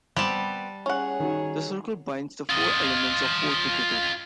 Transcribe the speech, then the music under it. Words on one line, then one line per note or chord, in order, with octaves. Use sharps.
The circle binds the four elements of four together.
G3 B3 C4 A5
C#4 G#4 C#5 F#5
D#3 F#4
F4 D#5